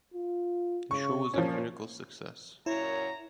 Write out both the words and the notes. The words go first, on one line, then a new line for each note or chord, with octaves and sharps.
The show was a critical success.
F4
C#3 C#6
A#2 F3 C#4
F#2 A#2 E4 C#5 A#5